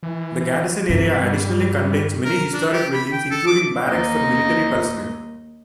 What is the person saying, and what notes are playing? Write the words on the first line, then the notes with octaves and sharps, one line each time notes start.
The Garrison area additionally contains many historic buildings including barracks for military personnel.
E3
G2 C3
G3
A#4
D4
G4
B5
G5
A4
D6
D#2 D#4 D#5